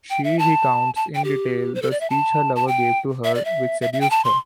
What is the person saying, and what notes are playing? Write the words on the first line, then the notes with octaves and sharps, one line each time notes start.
She recounts in detail the speech her lover gave to her which seduced her.
G5
E5
A5
A5
G5
G4
C5
A4
D5
E5
A5
A5
G5
E5
D5
E5
E5
E5
G5
A5
C6